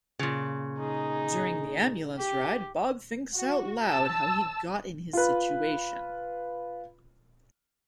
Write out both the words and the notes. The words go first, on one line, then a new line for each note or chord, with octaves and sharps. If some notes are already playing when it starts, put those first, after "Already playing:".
During the ambulance ride, Bob thinks out loud how he got in his situation.
A#2 C#3
D#4 G#4
G4
F#4
A5 E6
F4 B4